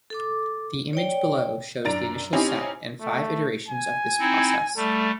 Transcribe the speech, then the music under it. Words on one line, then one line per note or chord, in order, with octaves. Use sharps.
The image below shows the initial set and five iterations of this process.
A4 D6
C#5 D5 G5
F#2 D4 A#5 A6 D7
C4 C#4 D#4 E4 G4
A3
G#5
C4 D#4 E4
G3 A3 A4